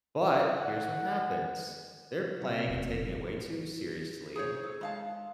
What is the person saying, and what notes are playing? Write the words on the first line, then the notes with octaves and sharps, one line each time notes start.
But, here's what happens, they're playing and taking it way too seriously,
F#5
C3 F#3
F1 E2
A2
G#4 C5 C#5
A4
G#3 F5 A5